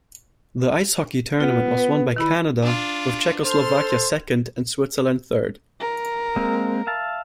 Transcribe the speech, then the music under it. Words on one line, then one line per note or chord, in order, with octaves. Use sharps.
The ice hockey tournament was won by Canada, with Czechoslovakia second and Switzerland third.
B3 F4
B4
D#3 E4 B5
D4 F4
A4 C5 C6 F6
A#4
G#3 A#3 C4
E5 F5 A5